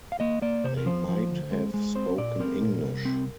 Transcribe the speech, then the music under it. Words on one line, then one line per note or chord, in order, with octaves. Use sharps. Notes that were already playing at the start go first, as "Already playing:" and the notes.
They might have spoken English.
F5
A#3 D#5
A#3 D5
C3 C5
A#4
F3 C5
F3
D2
G#3
G#3
C4 C5
A#2 D5
C4 A#4
A#2
C2
C4